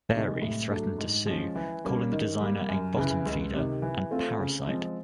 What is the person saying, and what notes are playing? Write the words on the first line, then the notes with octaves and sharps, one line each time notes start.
Fairey threatened to sue, calling the designer a "bottom feeder" and "parasite".
C3 D#3 G#3
A2
F#3 A3 D4
G#2
F3 G#3 C#4
E3
G3 A#3 C#4
D#3
G3 A#3
F#2
C#3 E3
C#2
C3 D#3
E3
A3 C4 F4
C#3
F3 G#3 C4